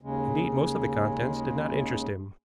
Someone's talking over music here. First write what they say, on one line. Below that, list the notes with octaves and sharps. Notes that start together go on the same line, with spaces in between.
Indeed, most of the contents did not interest him.
D#2 C#3 G#3